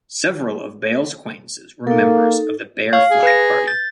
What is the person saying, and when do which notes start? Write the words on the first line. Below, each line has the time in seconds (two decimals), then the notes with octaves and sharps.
Several of Bale's acquaintances were members of the Bear Flag Party.
1.87 A#3 D#4 A4
2.93 C#5 F5
3.11 G#4
3.23 B4 A#6
3.67 G6 A6